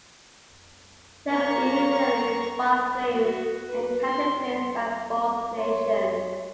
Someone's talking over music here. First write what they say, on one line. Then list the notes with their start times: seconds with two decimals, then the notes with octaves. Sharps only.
The event immediately sparked claims and counter-claims by both nations.
1.30 A#3 A#5 C#6
3.15 F#4
3.67 B4
4.05 C6
5.57 C#5 C6